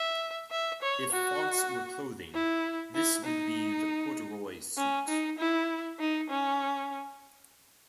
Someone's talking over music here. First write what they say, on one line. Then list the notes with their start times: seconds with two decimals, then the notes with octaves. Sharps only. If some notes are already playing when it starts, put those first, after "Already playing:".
If fonts were clothing, this would be the corduroy suit.
Already playing: E5
0.51 E5
0.82 C#5
1.12 F#4
2.34 E4
2.95 E4
3.25 D#4
4.77 C#4
5.08 D#4
5.39 E4
6.00 D#4
6.30 C#4